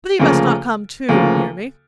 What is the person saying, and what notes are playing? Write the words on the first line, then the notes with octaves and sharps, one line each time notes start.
But he must not come too near me!'
D2 C#3 F3 A#3
D2 C#3 F3 A#3